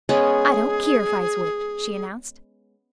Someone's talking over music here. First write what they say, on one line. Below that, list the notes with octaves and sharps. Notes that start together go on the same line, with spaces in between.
"I don't keer if I is whipped," she announced.
G#3 B3 C#4 G#4